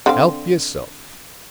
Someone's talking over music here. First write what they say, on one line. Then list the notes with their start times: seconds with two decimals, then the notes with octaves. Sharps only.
"Help yourself."
0.06 D3 C4 F5